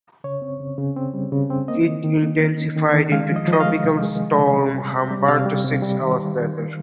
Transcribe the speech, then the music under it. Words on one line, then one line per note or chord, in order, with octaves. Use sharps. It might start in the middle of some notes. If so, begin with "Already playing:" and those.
It intensified into Tropical Storm Humberto six hours later.
C#3 C#5
C4
C#3
C#3
C4
G3
C#3
C4
A#3 D#5
D#3
D#3
A#3
D#3
C#4
D#3
D#3
G#3 F5
F3
D#5
F3
D#5
F5
G#3
C3
G#3
G#3
C3
C3
G3
C3
G3
C3 F5
G3
C3
G3
D#3
G3
D#3
G3